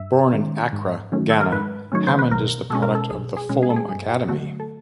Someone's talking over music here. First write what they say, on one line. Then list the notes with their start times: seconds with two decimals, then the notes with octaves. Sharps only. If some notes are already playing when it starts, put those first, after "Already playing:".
Born in Accra, Ghana, Hammond is a product of the Fulham Academy.
Already playing: G2 E5
0.33 D#3 G#3 C#4
0.73 G#2
1.12 D#3 F#3 A3 C#4
1.30 A4
1.41 A#4
1.52 G#2 B4
1.92 D#3 F#3 A3 C#4 C#5
2.07 C5
2.19 B4
2.31 B1 A#4
2.70 B2 G#3 C#4 A4
2.82 A#4
2.95 A4
3.10 B1 G#4
3.37 G#4
3.49 B2 G#3 C#4
3.63 G#4
3.70 A4
3.76 G#4
3.89 G2 G#4
4.08 G4
4.28 D3 F#3 A3 F#4
4.60 A4